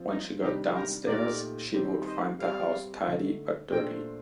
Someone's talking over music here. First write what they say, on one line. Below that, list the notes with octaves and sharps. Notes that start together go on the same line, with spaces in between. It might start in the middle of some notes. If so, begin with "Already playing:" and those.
When she got downstairs, she would find the house tidy, but dirty.
Already playing: F3 C4 F4 C5
D#4
C3 D#3 G3 D4 D#4 G4
G4 A#4
A#2 A3 D#4 G4 A#4 D5
D#3 G3 C4 G4
C5 D#5
G3 C4 G4 D5 F5
D3 A3 D#4
A#2 A3 D4 A4 C5 D#5 G5